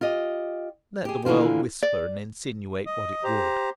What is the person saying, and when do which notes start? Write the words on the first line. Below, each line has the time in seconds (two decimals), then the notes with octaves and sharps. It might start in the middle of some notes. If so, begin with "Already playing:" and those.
Let the world whisper and insinuate what it would.
0.01 F4 G4 D#5
1.05 G4 G#4
1.25 D#2 D3 E3 F4 C5
1.83 D5
2.86 D#5 D#6
3.24 G4 C5 A#5